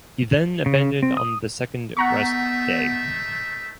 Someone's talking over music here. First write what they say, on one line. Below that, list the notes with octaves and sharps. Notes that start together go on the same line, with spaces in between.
He then abandoned on the second rest day.
C#3
C4
D#6
A3 B3 D#4 E5 F#5 A#5 C#6